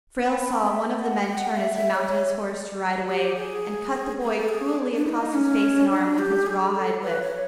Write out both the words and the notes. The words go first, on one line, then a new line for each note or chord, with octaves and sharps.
Frale saw one of the men turn as he mounted his horse to ride away, and cut the boy cruelly across his face and arm with his rawhide whip.
B5
B5
G5
E5
F#5
G5
F#5
E5
E5
C#5
G4
G#4
G#4
A4
G#4
D4
E4
D#4
C#4
D4
G4
G#4
G4
A4
B4
C#5